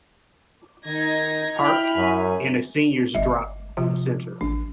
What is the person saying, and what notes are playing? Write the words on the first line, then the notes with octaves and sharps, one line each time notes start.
Park and a Seniors Drop In Centre.
D#3 D#4 G#6 A#6
E4 G5 B5 F6
F#2 G#5
G1 D#5 E5
C3 F3 F4
A1 D4